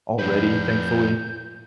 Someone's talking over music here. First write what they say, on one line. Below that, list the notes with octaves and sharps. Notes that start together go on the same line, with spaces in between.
already, thankfully.
F2 B4 G6